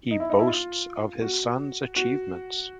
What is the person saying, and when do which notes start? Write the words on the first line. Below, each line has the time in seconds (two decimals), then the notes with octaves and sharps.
He boasts of his sons achievements.
0.11 D#4
0.20 E4
0.30 D#4
0.39 E4
0.47 F4
1.22 F#4
1.96 F#4